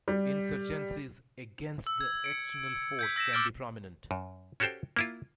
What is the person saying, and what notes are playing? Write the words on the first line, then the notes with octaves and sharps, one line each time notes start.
Insurgencies against the external force can be prominent.
G3
E6
G#6
C#7 D7
G6 G#6 B6
E6 A#6 B6 E7
D6 E6 F6 A6 D7
F#2
C#4 F#4 G4 A4 C5 G5
A#3 E4 F4